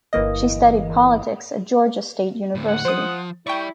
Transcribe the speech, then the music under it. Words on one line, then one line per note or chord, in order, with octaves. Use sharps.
She studied politics at Georgia State University.
G1 E3 A#3 D#5
D2 A2
F#5
F3 C5 D#6
E4 G4 D5 G5 C#6